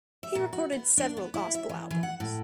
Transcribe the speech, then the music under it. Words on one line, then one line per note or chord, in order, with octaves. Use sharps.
He recorded several gospel albums.
E5
A#2
F#4
B3
D4
B3
E4
E5
E3
E3
F#5
A2